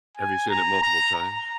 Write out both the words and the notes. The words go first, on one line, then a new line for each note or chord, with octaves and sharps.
Have you seen it multiple times?
G#5
A#5
A#5
A#5